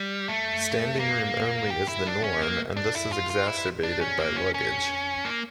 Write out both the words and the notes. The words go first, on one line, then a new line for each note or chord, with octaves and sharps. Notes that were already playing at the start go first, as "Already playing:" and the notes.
Standing room only is the norm, and this is exacerbated by luggage.
Already playing: G3
A3
A#3
G4
E4
D4
C#4
A#3
D4
E4
F4
F4
E4
D4
C#4
A#3
C#4
C#4
A#3